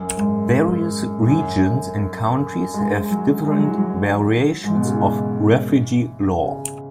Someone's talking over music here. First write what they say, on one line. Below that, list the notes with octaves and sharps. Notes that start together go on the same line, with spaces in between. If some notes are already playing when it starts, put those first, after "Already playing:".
Various regions and countries have different variations of refugee law.
Already playing: F#2
G#2
F#2
G#3
F#3
G#3
F#3
E3
F#3
G#2
B2
C#3
E3
C#3